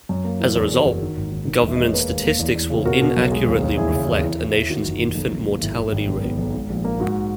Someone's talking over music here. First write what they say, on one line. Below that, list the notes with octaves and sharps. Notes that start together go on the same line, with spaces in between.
As a result, government statistics will inaccurately reflect a nation's infant mortality rate.
F#2
A#3
E3
E2 A#4
G#4
E2 F#4 A#4
F#1
D#3
G#1
D#3
D#3
E1
E5
G#3 D#5
C#5
A#3 G#4 B4
D#2
A#3
E2
E2
C#3
B2 F#4 A#4
B2
B1
G#3
D#2
D#2
E2 E4 G#4
C#3
E2
E3
E3
E3 E4
D#3 F#4
F#1
D#3
B1
B1
A#3
G#1 E4
G#1
G#1
B1
B3
B1
G#2
A#1
A#3
G#2 F#4